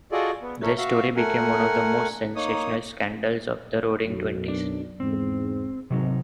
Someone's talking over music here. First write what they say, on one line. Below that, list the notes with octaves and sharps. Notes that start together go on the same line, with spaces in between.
Their story became one of the most sensational "scandals" of the Roaring Twenties.
F4 F#4 G#4 A4 D5 D#5
B3
A4 A#4 C#5 E5
F#4 E5 F5
A3 A#4 F#5 G#5
A#3 D#4 C#5 D#6
B1 F#2
D4
E2 G#2 C4
G#1 C3 F#3 D#4